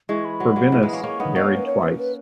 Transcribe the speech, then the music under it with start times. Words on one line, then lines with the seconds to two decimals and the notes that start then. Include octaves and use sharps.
Corvinus married twice.
0.09 E3 G#3 C#6
0.25 B5
0.40 F#3
0.56 F#3 A#3
0.72 E3 G#3
0.83 G#3 B3
0.93 A#3 C#4
1.03 A#3 C#4 C#6
1.20 B3 D#4 B5
1.35 A#3 C#4 D#5
1.46 C#5
1.57 B4
1.66 C#5
1.83 B4
1.99 B4